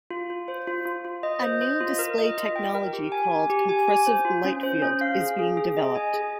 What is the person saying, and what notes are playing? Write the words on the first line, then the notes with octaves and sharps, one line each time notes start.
A new display technology called "compressive light field" is being developed.
F4
F4
C5
F4
F4
F4
D#5
C5
D#5
F4
A#4
D#5
F4
G5
A#4
G4
G#5
G#5
G4
G#5
G#5
C5
F4
C#4
C5
C#4
F5
G#4
G#4
G#4
D#5
G#5
G#4